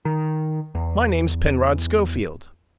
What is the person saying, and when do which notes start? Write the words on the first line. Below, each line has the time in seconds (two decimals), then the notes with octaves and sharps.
"My name's Penrod Schofield."
0.05 D#3
0.75 E2